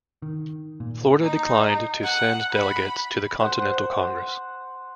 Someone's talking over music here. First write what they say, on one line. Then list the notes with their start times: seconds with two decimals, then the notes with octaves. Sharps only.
Florida declined to send delegates to the Continental Congress.
0.22 D#3
0.80 A#2
1.22 D#4
2.04 F#5
2.52 B5
3.40 C5 F#5